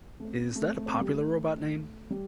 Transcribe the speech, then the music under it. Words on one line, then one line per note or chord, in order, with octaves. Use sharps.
Is that a popular robot name?
A3
C4
A3
C4
A3
C4
A3
G3
A3
G3